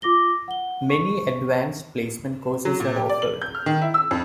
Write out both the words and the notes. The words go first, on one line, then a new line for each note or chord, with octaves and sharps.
Many Advanced Placement courses are offered.
F4 D6 A#6 G7
F#5 G7
C#6
F#3
A#2
G4
D5
F#7
G6
F6
D#3
E4
E6
F2